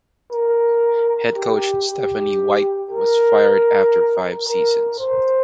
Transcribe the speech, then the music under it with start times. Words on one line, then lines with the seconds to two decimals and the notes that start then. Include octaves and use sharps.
Head coach Stephanie White was fired after five seasons.
0.32 A#4
1.36 G4
1.88 G4
2.91 A#4
4.47 A#4
4.99 C5